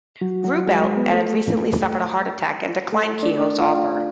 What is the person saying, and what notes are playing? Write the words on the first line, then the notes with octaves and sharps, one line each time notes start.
Ruppelt had recently suffered a heart attack, and declined Keyhoe's offer.
F#3 F#4
F#3 F#4
G#3 G#4
G#3 G#4
B3 B4
A3 A4
A3 A4
D4 D5
D4 D5
F4 F5